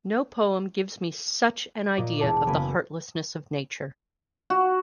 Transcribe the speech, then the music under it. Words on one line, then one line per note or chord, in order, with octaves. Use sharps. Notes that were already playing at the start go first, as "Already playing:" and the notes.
No poem gives me such an idea of the heartlessness of Nature.
D7
A#2 D#5 D6
E1 E4 A5 D6
F#1 A#3 B3 G#5 B5 D7
F#4